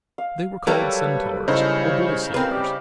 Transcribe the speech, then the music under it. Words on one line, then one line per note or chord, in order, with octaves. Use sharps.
They were called Centaurs, or Bull-Slayers.
F5
F#3 G3 A#3 A4 B4 C#5
G2 C#3 D#4 E4 G#4 C5 C#5
C4 A#4 B4 F5
G3 G4